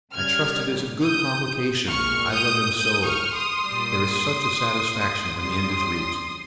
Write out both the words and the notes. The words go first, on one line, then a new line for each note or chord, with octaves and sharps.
I trust it is a good complication--I love them so--there is such a satisfaction when the end is reached.
C#3 G3 F6 G#6
D#6 G6
A#2 G#3 C#6 F6
D#6 G6
D#6 G6
C#6 F6
C6 D#6
A#2 G3
C#3 G3 C6 D#6